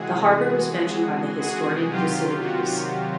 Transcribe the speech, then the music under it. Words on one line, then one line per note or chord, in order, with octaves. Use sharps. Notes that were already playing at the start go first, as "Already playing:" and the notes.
The harbour was mentioned by the historian Thucydides.
Already playing: C3 E3 G#3 F#4 G#4
F#4 G#4
C3 D#3 F#3 F4 G4
F#4